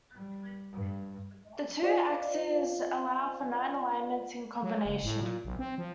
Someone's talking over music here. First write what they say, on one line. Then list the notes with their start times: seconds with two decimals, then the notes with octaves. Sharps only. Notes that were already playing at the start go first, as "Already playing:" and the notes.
The two axes allow for nine alignments in combination.
0.15 G3
0.72 G2
1.83 F4 C5 D5 D#5 F5
4.63 F#3
4.85 F#1
5.04 A2
5.21 A#2
5.45 B1
5.59 C4
5.78 F3